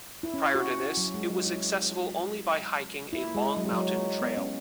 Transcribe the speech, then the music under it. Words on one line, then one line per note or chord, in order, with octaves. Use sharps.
Prior to this, it was accessible only by hiking a long mountain trail.
E4
C#4
F#4
F#3
G#3
F#3
E4
E4
G#3
F#3
G#3
F#3
G#3
B3
C#4